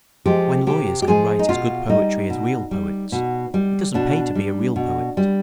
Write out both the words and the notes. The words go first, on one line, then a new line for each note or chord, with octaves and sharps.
When lawyers can write as good poetry as real poets, it doesn't pay to be a real poet.
F3 G#3 G4
C3 G4
G4
F3 G#3 G#4
D#4
B2 F4
G3 D#4
B2
G3
B2
G3
B2 D4
G3
B2
G3